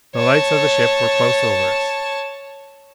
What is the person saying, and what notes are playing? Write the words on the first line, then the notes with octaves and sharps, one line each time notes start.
The lights of the ship were close over us.
C#5 A5